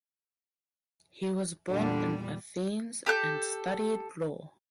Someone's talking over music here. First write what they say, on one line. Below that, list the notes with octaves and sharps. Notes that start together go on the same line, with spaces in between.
He was born in Athens and studied law.
E2 A#2 D3 G3 D4
G4 A4 F#6 G6